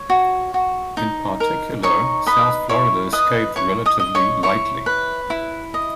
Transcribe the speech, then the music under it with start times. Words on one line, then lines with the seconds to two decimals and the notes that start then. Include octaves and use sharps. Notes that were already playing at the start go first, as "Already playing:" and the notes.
In particular, South Florida escaped relatively lightly.
Already playing: C#5
0.10 F#4
0.54 F#4
0.97 D#4
1.40 A#4
1.83 D#4 C#5 C#6
2.26 B4 D#5 B5
2.69 E4 C#5 C#6
3.13 B4 D#5 D#6
3.56 E4 C#5 C#6
3.86 D#5 D#6
4.00 D#5
4.15 C#5 C#6
4.43 E4 C#5 C#6
4.86 B4
5.30 E4
5.74 D#5